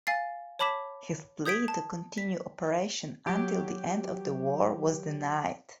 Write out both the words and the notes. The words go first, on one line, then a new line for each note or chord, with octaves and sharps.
His plea to continue operation until the end of the war was denied.
F5 G#5 A6 C7
C#5 A5 B5 D6 B6 E7
D#6 G6 G#6 B6 D7
A5
B6
F#3 G4